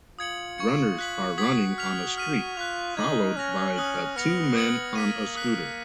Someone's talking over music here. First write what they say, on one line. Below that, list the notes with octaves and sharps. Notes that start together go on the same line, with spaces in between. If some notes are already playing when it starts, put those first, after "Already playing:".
Runners are running on a street, followed by a two men on a scooter.
F4 D#6 G#6 C#7 F#7
C#6 G#6 C#7
F#6 B6 F#7
F#4 D#6 G#6 B6 F#7
F6 B6 F7
F6 B6 D#7
F4 F#6 B6 F7
D#4 G#6 D#7 F#7
C#4 F6 A#6 F7
D#6 F#6 C#7 F#7
B3 F6 A#6 C#7 F7
D#6 G#6 C#7 F#7
A#3 F6 B6 D#7
D#6 F#6 B6